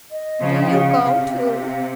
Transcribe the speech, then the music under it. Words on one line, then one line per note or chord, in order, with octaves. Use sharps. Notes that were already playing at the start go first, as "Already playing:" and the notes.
Do you go too.
D#5
C#3 F3
G5
C#3 F5
C3
F5